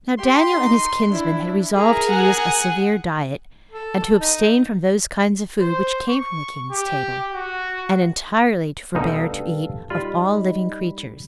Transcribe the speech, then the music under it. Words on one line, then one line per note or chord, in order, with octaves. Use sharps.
Now Daniel and his kinsmen had resolved to use a severe diet, and to abstain from those kinds of food which came from the king's table, and entirely to forbear to eat of all living creatures.
G4 C6
D#4
D4 E4
E4 G#4 A#4 A#5
G#4 F#5 G#5
A4
D#4
C5
C#6
G4
F#4
D2 G2 B2 D#4 A4 F5
G3 D#4 F4 B5